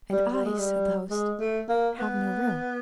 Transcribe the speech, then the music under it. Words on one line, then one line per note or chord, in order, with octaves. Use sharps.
"And I," said the host, "have no room."
G3
G3
G#3
G3
G#3
A3
A#3
B3